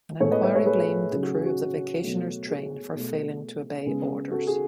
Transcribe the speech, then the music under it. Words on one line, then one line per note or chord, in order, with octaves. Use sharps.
An inquiry blamed the crew of the vacationers' train for failing to obey orders.
A2 G#3 B3 A4 C#5
B4 D#5
C#5 E5
A4 C#5
G#4 B4
C#3 F#3 A3 G#4
F#4
G#4
F#4
B2 F#3 A3
G#4
B2 A3
C#3 G#3 B3
F#4 A4
G#4